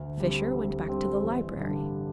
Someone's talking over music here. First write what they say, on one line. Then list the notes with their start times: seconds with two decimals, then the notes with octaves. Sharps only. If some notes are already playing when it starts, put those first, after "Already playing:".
Fisher went back to the library.
Already playing: D2
0.17 D3 G3 C4
0.53 D2
0.88 D3 G3 C4
1.23 A1
1.58 G2 D3 G3